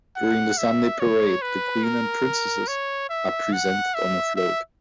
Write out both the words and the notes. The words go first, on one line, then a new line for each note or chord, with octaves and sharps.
During the Sunday parade, the queen and princesses are presented on a float.
F#5
E5
C#5
B4
A#4
C#5
E5
F#5
E5
E5